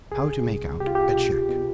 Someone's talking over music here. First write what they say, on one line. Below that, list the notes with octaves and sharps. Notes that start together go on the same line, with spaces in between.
How to Make Out a Check.
C2 G#4
C2
C2 G4
F4
G4
B2
B2